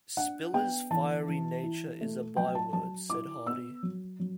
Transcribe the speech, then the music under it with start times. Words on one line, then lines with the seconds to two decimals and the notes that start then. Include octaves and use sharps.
"Spiller's fiery nature is a byword," said Hardy.
0.17 D4 F#5
0.53 B3 G5
0.91 E3 A5
1.27 E3
1.63 E4
2.01 A3
2.37 F#3 G5
2.55 A5
2.73 F#3 A5
3.10 E4 D6
3.47 B3 E6
3.83 F#3
4.20 F#3